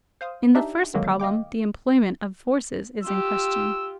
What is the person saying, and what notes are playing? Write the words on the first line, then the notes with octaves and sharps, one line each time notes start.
In the first problem the employment of forces is in question.
C5 F5 D#6
D4 D#4 G4 E5 G5
D3 D#3 F#3 G#3 A#3
D#5 F5 G5 D6
F4 G4 E6